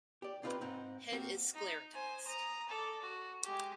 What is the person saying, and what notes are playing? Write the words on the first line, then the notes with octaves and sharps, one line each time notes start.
Head is sclerotized.
G4 D5
C4 D#4 F4 G4 B4
G#2 C4 D#4
A#3 C4 F#4 G4 A#4
D#4
C5 G#5
A#5 D#6
A4 D5
F#4
G#3 G4